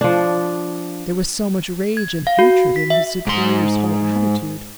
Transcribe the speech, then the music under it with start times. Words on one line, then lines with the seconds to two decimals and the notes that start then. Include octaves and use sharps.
There was so much rage and hatred in his superior's whole attitude.
0.01 F3 D4
1.97 G#6
2.27 F5
2.39 F#4
2.76 B6
2.90 E5
3.27 G#2 C6